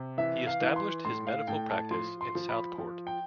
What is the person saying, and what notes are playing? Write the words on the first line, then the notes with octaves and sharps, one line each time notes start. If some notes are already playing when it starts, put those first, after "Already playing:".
He established his medical practice in Southport.
Already playing: C3
E3 E5
F5
E3
C6
A2 C6
F5
A2 G5
A5
F3 C6
C6
F3
B5
F3
G5